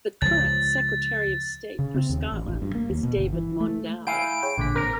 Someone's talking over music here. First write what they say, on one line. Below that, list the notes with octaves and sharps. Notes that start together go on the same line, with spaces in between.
The current Secretary of State for Scotland is David Mundell.
C#2 F3 A6
C#3
C4
D#2
A1
A1
G2
A#3
D#2
B2
G1
E3
A3
E4 F5 G#5 G6 D7
G#4 C#5 G5
A1 A#2 D3 B6
C4 A#4